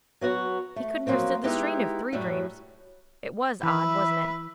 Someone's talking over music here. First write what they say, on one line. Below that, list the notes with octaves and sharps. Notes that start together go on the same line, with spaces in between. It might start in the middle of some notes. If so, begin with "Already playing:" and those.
He couldn't have stood the strain of three dreams. It WAS odd, wasn't it?
F#3 B3 F#4 C#5
A3
F3 F#3 A#3 C4
G#3 B3 D#4 E4 G4
F#2 A2 F#3 G3
E3 B4 E5